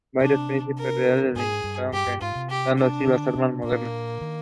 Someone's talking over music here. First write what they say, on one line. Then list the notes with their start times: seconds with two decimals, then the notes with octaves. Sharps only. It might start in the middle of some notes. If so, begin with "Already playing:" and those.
He played for Lahore Lions and Lahore Ravi.
0.20 C3 D4
0.78 A#4
1.35 G#2 G#4
1.64 G2
1.92 G2 G4
2.07 G2
2.21 G#2 F4
2.35 C3
2.50 G4
2.78 D4
3.07 D3
3.35 C3
3.63 A#2 A#3
4.21 D#3